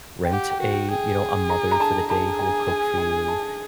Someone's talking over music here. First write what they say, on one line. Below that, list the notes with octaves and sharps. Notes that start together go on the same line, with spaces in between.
rent-a you know, a-mother-for-the-day-who-will-cook-for-you,
G5
G4 F#5
G5
F#4
G5
G#4 G5
A#5
A#5
A5
G#4 A5
G#5
G#5
G#5
A5